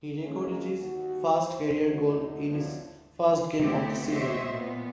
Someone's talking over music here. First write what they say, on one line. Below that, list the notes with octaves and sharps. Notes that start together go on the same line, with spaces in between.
He recorded his first career goal in his first game of the season.
C#3 G#3 A#3 C4 C#4
D#2 F#4
C5
F#2 D3 F#3 A3 D#4
D#3 F3 F#3 B3 D4 E4
D3 A3 B3 C4 E4 G4
F#4 G4 C5 C#5 D#5 E5
A#2 B3